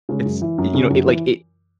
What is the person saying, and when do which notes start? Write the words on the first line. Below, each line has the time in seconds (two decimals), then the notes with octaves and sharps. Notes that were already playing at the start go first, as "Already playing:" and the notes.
It's, you know, it, like, it
0.09 C#3 G#3
0.25 F#2
0.42 E3
0.58 F#2
0.75 C#3
0.90 F#2
1.06 E3